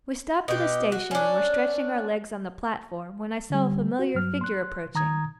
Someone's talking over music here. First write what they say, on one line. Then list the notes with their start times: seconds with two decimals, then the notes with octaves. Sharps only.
We stopped at a station and were stretching our legs on the platform when I saw a familiar figure approaching.
0.48 B2 G4
0.92 F#4
1.11 C#4 D4
3.50 D3 G3
3.99 F#4
4.15 G2 F#3 F6
4.41 C6 F#6
4.95 D#3 A#5 D#6 G#6